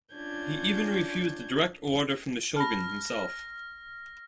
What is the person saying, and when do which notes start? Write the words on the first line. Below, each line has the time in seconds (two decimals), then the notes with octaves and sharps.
He even refused a direct order from the Shogun himself.
0.14 C#4 D4 F4 G6 G#6
2.56 A5 B5 F6 A#6